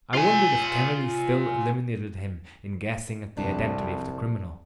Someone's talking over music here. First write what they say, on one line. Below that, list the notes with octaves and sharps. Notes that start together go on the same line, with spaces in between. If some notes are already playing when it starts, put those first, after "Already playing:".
I wondered if Kennedy still eliminated him in guessing at the identity of the criminal.
F4 G#5
C2 F2 G3 D4